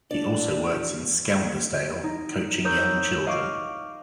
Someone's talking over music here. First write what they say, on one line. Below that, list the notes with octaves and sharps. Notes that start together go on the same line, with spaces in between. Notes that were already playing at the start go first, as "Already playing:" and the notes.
He also works in Skelmersdale, coaching young children.
D4 D5
D#4
A#4 C#5 D#6 E6 G6
D#5 F5 C#6 D6 F6 D7